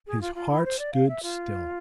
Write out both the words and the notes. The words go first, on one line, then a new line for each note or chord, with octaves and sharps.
His heart stood still.
G#4
F4
F4
E4
C5
D5
F5
E5
F4